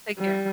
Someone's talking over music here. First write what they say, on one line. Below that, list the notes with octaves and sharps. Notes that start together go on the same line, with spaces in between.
Take care.
G3